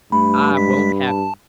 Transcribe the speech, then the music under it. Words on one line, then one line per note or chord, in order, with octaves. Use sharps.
I won't have it.
G2 A3 B5
G#3 B6
A5